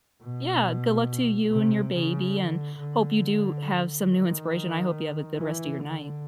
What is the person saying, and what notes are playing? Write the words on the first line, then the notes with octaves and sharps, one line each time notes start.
yeah, good luck to you and your baby, and hope you do have some new inspiration, I hope you have a good rest of your night
B2
C3
C#3
D3
D3
D#3
E3
D3